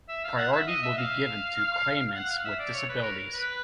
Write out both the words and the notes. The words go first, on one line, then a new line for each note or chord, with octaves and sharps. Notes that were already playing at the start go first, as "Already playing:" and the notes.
Priority will be given to claimants with disabilities.
E5
F5
F#5
E5
D#5
E5
F5
F#5
F5
E5
D5
C#5
B4
A#4
B4